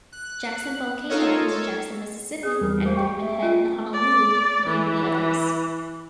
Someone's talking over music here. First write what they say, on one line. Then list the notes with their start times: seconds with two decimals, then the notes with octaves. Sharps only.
Jackson Volcano in Jackson, Mississippi and Diamond Head in Honolulu being the others.
0.12 F#6
1.09 D#4 F4 A4 A#4 C#5 D#5
1.47 A4 C#5
2.43 C#4 G#4
2.61 E2 G3 A#4
2.84 F#4 G#4 C5 F5
2.96 G4 G5 C#6
3.20 E5
3.42 C#4 F4 A5
3.93 D5
4.66 E3